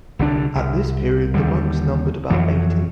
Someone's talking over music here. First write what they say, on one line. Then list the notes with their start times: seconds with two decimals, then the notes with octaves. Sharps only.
At this period the monks numbered about eighty.
0.19 C2 D3 D4
0.55 C2
1.34 D#2 D3 G3
2.30 F2 E3 F#3